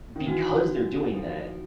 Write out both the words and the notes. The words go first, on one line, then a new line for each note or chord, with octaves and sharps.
because they're doing that,
D#3
E3 C4 D#4 F#4
F3